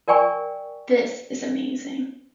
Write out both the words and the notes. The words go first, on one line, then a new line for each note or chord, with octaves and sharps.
This is amazing.
A#4 D5 G5 G#5 C#6